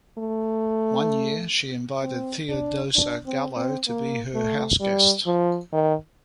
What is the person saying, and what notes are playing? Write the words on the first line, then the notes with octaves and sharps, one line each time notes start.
One year, she invited Theodosia Gallow to be her house-guest.
A3
C4
D4
D4
C4
C4
A#3
A3
G3
F3
D#3